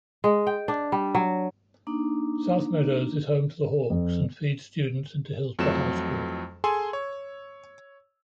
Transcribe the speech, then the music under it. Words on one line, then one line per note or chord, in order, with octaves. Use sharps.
South Meadows is home to the Hawks and feeds students into Hillsboro High School.
G#3
G5
D4
G3
F#3
A#3 D4 D#4
F2
F2 E3 F#3 A3 E7
G#4 A4 G#5 C6 E6
C#5